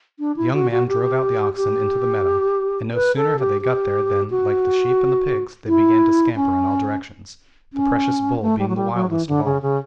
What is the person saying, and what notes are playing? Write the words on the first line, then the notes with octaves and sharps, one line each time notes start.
The young man drove out the oxen into the meadow, and no sooner had they got there than, like the sheep and the pigs, they began to scamper in all directions, the precious bull being the wildest of all.
D4
E4
F#4
F#4
G4
G4
B4
A4
G4
G4
F#4
E4
C#4
C#4
A3
G3
F#3
G3
F#3
E3
D3
C#3
C#3